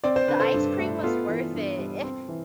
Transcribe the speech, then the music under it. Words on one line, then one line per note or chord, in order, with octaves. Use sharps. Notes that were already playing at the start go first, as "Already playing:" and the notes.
the ice cream was worth it,
C4 D5
C5
D3 B4
A4 C5
G2
A3
B3 F4 A4
E3
G2
G3
C4
E3